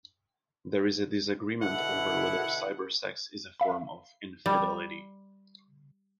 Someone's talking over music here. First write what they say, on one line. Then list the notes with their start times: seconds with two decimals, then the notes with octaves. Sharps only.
There is disagreement over whether cybersex is a form of infidelity.
1.62 B2 D3 E4 F#5
3.60 E5 F5 B5
4.46 G3